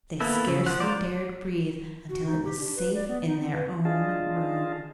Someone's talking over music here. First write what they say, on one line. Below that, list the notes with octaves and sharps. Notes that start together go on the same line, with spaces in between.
They scarcely dared breathe until it was safe in their own room.
A#3 B3 E4 A4
C#3
F3 F#5
F4 A#4 C5 D5
F#4
D#4
G4
D4
B4
D5
B3
D#4
C4
B4
D4 F4 G#4 D#5 F5 A5